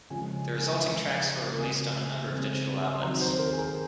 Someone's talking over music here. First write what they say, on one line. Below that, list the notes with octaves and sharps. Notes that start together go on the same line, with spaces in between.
The resulting tracks were released on a number of digital outlets.
C#3 F3 G#3 G#5
C#3 F3 G#3
C#3 G#3 C4 G#5
C#3 G#3 C4
C6
D#3 F#3 C4 A#5
C5
A#4
G#4
A#4